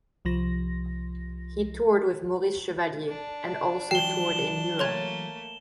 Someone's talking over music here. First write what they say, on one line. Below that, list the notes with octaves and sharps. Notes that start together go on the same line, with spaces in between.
He toured with Maurice Chevalier and also toured in Europe.
C2 F3 A#6
D4
E3 F#3 G5 E7 G7
A3 A#3 C#5 C6 G#6